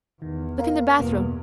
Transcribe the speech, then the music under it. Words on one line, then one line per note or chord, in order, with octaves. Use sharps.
Look in the bathroom!
E2 D#3
A#4 F5
E2 G2 B2 A#3 B3